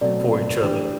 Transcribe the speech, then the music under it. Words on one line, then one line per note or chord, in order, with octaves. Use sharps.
for each other
B2 F#3 A3 C4 D5
E3 A3 D4 G4